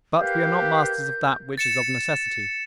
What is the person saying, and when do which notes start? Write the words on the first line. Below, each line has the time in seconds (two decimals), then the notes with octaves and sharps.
But we are not masters of that which is of necessity.
0.20 G4 A#4 B4 F5 G6
1.58 A6 C#7 E7